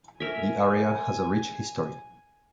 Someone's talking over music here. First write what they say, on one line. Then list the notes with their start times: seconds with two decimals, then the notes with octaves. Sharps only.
The area has a rich history.
0.20 A#4 E5 G#5